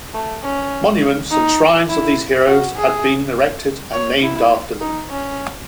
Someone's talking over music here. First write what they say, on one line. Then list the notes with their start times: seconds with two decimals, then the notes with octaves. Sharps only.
Monuments and shrines of these heroes had been erected and named after them.
0.14 A3
0.44 C#4
1.31 D#4
1.90 E4
2.48 F#4
2.77 G#4
3.93 C#5
4.23 E4
4.81 D#4
5.10 C#4